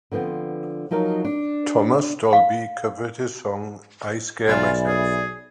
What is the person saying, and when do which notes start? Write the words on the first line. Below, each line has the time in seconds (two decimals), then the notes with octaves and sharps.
Thomas Dolby covered his song "I Scare Myself".
0.11 D3 F3 B3 C4
0.91 F3 F#3 D#4 A#4 F5
1.25 D4
2.33 F5
4.48 B1 F4 D5 E5 G#5 B5
4.86 G#4